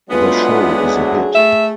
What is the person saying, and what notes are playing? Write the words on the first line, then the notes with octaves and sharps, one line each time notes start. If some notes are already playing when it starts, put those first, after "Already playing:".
The show is a hit.
D2 D3 F#3 G#3 B3 F4 B4
G#4
A3 E5